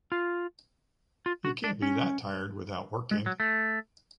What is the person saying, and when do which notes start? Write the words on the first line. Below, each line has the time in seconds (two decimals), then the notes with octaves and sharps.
You can’t be that tired without working.
0.12 F4
1.26 F4
1.45 F#4
1.64 D4
1.82 C#4
3.11 G#3
3.26 F#3
3.40 A3